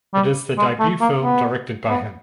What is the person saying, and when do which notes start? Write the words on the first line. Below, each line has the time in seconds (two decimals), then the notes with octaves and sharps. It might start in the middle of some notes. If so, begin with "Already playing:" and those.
It is the debut film directed by him.
0.14 G3
0.58 G#3
0.80 A3
1.01 A#3
1.24 B3
1.90 B3